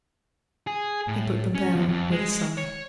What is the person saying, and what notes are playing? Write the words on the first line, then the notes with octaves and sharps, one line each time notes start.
He put them down with a sigh.
G#4
A2
C#4
E2
F2
G#3
C#5